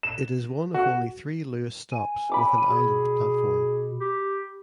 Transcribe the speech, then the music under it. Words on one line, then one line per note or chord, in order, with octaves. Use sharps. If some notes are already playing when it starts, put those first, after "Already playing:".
It is one of only three Luas stops with an island platform.
E7
F#4
G#5
B5 D6 E6
B2 G#4
G4